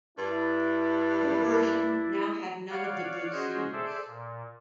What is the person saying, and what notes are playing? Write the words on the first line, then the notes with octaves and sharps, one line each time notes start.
The version now had none of the good scenes.
G2 D4 E4
C#5 D5 F5 F#5
C#4 F#4 G#4 C5 D#5
G#4 A4 C5 D5 E5
A#2